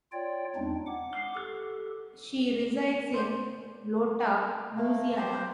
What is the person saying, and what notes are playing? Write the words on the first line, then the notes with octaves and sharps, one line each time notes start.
She resides in Iota, Louisiana.
F4 C#5 D5 G5
E2 G#3 C4 D4 D#4
F#5 D6
G4 A4
B3 C5 D5
A3 A#3
G4 C5